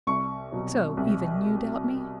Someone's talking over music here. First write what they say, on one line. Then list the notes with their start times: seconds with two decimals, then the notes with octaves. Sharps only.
"So, even you doubt me?"
0.07 C2 C#6
0.52 B2 F#3
0.97 C2